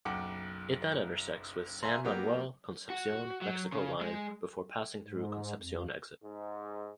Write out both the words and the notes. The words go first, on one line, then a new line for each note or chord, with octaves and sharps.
It then intersects with San Manuel–Concepcion–Mexico line before passing through Concepcion Exit.
F#1 B1 F#5 G5 D6
E5 G#5 A#5 C6
F#3 A#3 B3 G4
F#4
F#3
C#3
G#3
G#2
F2
G#2